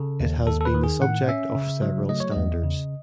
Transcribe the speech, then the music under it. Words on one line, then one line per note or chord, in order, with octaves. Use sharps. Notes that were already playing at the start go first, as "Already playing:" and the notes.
It has been the subject of several standards.
Already playing: C#3 A4
D#2
D#2 A4
A4
B4
D#3
G#4
A2 F#5
C#4 E5
C#3
F#3
A3 D#5
C#5
E2 D#5
C#3